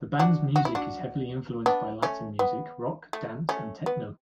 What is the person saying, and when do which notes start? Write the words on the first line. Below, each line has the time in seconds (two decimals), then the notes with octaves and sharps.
The band's music is heavily influenced by Latin music, rock, dance, and techno.
0.19 D4 F#4
0.56 F#4
0.65 E4
0.75 D4 F#4
1.66 B3 D4
2.02 A3 C#4
2.39 B3
3.13 A3
3.49 A3 C#4
3.86 B3